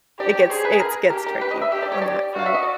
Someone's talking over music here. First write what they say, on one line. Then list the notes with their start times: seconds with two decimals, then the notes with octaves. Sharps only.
it gets it's gets tricky on that front,
0.19 G4 D5
0.29 D5
0.40 C#5
0.50 G#4 C5
0.65 B4
0.80 A#4
1.10 G4 A#4
1.26 A#4
1.41 B4
1.51 D#5
1.61 E5
1.72 G4 E5
1.82 D5
1.92 C#5
2.02 D5
2.33 F#4
2.39 F5
2.46 E5
2.55 D#5
2.62 D5